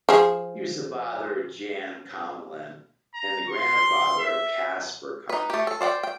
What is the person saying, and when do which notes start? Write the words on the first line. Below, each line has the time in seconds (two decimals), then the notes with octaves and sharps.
He was the father of Jan Commelin and the grandfather of Caspar Commelin.
0.09 F3 G#4
3.14 A#5
3.49 C6
4.19 E5
5.29 D#4 B4
5.50 A3 G4
5.67 A4
5.81 C5 D5 F#5 G5
6.03 G5